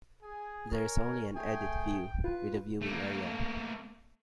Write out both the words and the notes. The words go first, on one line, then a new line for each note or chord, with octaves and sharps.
There is only an "edit view" with a viewing area.
G#4 G#5
A#4 C#5 G#5
A3 G#4 G5 G#5
F4 B4
A3 A#3